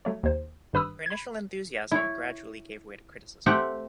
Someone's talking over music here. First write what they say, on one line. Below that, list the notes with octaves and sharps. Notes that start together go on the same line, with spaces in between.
Her initial enthusiasm gradually gave way to criticism.
F#3 A3 C#5
D#2 C5
G#1 G2 B4 B5 D#6 E6
B5 G#6
E4 C#5
A3 C4 G4 E5 F#5